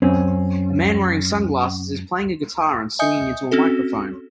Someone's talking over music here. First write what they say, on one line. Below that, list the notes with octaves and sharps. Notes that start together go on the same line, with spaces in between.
A man wearing sunglasses is playing a guitar and singing into a microphone.
F#2 C4 C#4
D#5 E5 G#5 D#6 G6 C#7
C4 C#4 F#4 A4